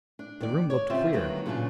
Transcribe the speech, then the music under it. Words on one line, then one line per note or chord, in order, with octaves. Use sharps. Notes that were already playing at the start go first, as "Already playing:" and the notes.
The room looked queer.
D4
D#2 D5
C#5 D5
C#3 C4 F4 G4 D5 E5
D3 D#3 F3 F#3 A#3 B3
A#2 C#3 F#3 B3 D4 F4